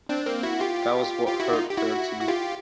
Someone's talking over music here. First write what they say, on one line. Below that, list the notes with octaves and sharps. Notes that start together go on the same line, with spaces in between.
That was what hurt, Bertie.
C4 D4
A#3 C4
E4 F#4
F4 G4
F4 G4
E4 F#4
D#4 F4
G4
E4 F#4
F#4
F4 G4